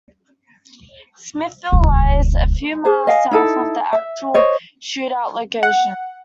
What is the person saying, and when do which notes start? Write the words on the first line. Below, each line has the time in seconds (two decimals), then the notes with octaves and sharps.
Smithville lies a few miles south of the actual shootout location.
1.72 D#1 C#2
2.85 G#4 C5
3.07 D#5 F5 G5 G#5
3.31 D#4 E4 A4
3.93 E5
4.34 C5 C#5 D#5
5.63 F#5